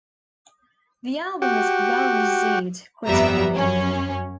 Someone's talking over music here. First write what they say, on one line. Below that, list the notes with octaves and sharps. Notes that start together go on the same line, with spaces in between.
The album was well-received critically.
F#4 G4
G1 F2 G3 B3 E5 A#5
F#2 C#4